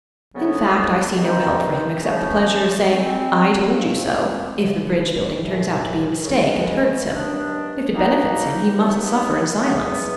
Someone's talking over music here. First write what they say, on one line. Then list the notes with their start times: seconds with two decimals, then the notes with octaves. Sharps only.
In fact, I see no help for him except the pleasure of saying 'I told you so' if the bridge-building turns out to be a mistake and hurts him; if it benefits him he must suffer in silence.
0.33 D2 C#3 F#3 B3
1.18 G2 D#3 G3 C4 D#4
2.02 C#3 F3 A3
2.87 G#2 D#3 G3 C4
3.71 F3 G#3 C4
4.56 D#2 C#3 F#3
5.40 C2 A#2 G3
6.24 C#3 E3 G#3
7.09 G2 D#3 F#3 B3 D4
7.93 B2 G3 A#3 D#4
8.78 G2 D#3 F#3 B3
9.62 E2 B2 F#3 B3